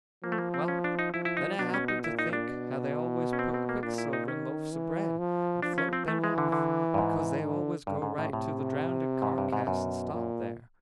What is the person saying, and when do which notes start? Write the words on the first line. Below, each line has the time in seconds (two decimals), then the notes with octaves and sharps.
Well, then I happened to think how they always put quicksilver in loaves of bread and float them off, because they always go right to the drownded carcass and stop there.
0.24 F3 A#3
0.32 A3
0.38 A#3
0.54 C4
0.68 C#4
0.84 D4
0.99 D#4
1.14 F3 E4
1.25 E4
1.37 D#4
1.58 B2 D4
1.74 C#4
1.88 D#4
2.04 A#2 E4
2.19 D#4
2.33 D4
2.48 B2
3.33 C#4
3.39 C4
3.54 C4
3.69 A#3
3.83 A#2 D4
3.98 E4
4.13 D#4
4.28 D#3 C#4
4.73 E3
5.18 F3
5.62 F3 D4
5.78 C#4
5.93 C4
6.08 E3 A3
6.24 G#3
6.38 D3
6.52 D3
6.94 G2
6.98 G#2
7.43 D3
7.87 G2 C#3
8.02 G#2
8.18 A2
8.33 A2 C3
9.22 G#2
9.38 G2
9.53 G#2
9.67 F#2 B2
10.13 A#2